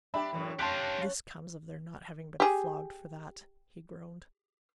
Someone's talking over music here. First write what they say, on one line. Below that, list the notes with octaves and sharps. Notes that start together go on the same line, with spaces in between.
"This comes of their not having been flogged for that!" he groaned.
D4 G4 E5 B5
F#2 A2 E3
C#4 G4 F5 A5 C6 F#6
G4 G#4